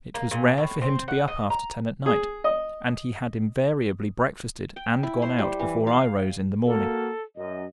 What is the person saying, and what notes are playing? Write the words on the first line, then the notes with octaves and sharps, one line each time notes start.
It was rare for him to be up after ten at night, and he had invariably breakfasted and gone out before I rose in the morning.
A#3
A#2
A2
C4
F#5
D#5
A#5
G#4
D#5
G5
E4
C5
G3
E3
F5
A#3 F#4 A4
F#2 D#5